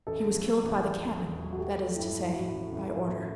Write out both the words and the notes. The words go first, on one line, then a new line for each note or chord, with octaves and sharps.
He was killed by the cannon, that is to say, by order.
A1 A4
A1
F#3
A1
E2
F#3
E1
F#3
F#4
A3 G4
A3
G2 E4
F#3
A2 F#4
A1
A1
A2
F#2